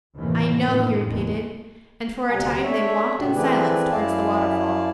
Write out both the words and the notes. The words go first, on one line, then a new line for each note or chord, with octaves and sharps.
"I know," he repeated, and for a time they walked in silence towards the waterfall.
F#1 D#2 A2 C3 E3
F#2 A2 D#3 F3
F#1 E2 G#3
D2 C3 G3 F#5 G#5 A#5
A3 D4 C#5 E5
A2 C#3 F#4 G4
E3 A3 C4 G#4 B4 D5
F#2 E4 D5 F5 G#5 A5